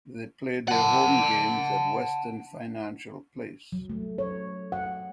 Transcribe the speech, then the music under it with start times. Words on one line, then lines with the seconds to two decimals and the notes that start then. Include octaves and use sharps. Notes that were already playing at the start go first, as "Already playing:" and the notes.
They play their home games at Western Financial Place.
0.68 F#5 A5
3.72 F#3
3.90 A3
4.18 C#5
4.72 F#5